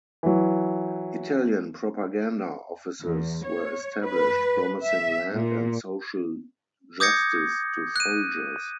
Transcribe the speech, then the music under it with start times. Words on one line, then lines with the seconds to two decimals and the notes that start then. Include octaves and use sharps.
Italian propaganda offices were established, promising land and social justice to soldiers.
0.23 E3 F#3
3.02 E2
3.44 C#5
4.06 B4
4.85 E5
5.33 A#2
7.00 D6 D#6 G6 G#6 A#6 C#7
7.96 F#6 D#7